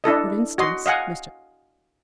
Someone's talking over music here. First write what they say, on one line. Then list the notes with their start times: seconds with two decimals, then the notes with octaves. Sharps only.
For instance--Mr.
0.04 D4 E4 A4 D#5
0.58 F#4 D#5 C6
0.86 D#5 F5 F#5 G#5